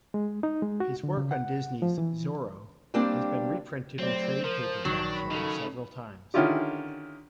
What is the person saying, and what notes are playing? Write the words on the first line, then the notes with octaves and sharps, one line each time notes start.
His work on Disney's "Zorro" has been reprinted in trade paperback form several times.
G#3
D#4
G#3
F#4
D3
C#3
F#5
F3
E3
G3 A#3 C4 D4 D5
F#3 A3 C4 C5 D5
F3 A#4
A#1 D#3 F#3 D4
B5
C#3 D#4 A4
D3 D#3 C#4 E4 F4 G4